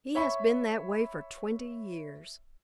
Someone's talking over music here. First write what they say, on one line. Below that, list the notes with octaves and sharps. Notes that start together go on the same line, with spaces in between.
He has been that way for twenty years.
C#5 E5 B5 C#6